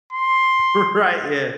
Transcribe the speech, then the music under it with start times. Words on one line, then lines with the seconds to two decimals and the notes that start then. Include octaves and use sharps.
R right, yeah.
0.13 C6